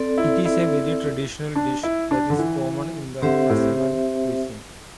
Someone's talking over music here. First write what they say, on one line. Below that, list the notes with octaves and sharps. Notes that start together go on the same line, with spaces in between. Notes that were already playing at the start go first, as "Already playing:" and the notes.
It is a very traditional dish that is common in the husman cuisine.
Already playing: C4 A4 D5
E4
E4
D4
E4
D4
D3
E3
D3 C4 G4 C5 E5
A2